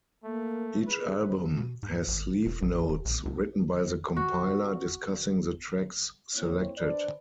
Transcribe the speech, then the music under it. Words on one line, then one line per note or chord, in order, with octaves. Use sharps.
Each album has sleeve notes written by the compiler discussing the tracks selected.
A3 A#3
G#4 B4
B2
G#2
G#1
E1
A1
E1
A#1
C#2
F#4
A#3 C4 E4 C#5
D4 B4 C5 D5